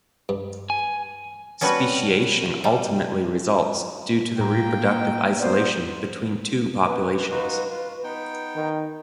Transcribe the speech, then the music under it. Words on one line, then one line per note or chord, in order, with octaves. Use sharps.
Speciation ultimately results due to the reproductive isolation between two populations.
G2
G#5
G3 B3 C#4 F#4 B4 A5
G3
A2 A#3 G5 A#5
B3 C5 D5
B4
D#4 F4 F#4
F4
B3 D#4 G5
D#3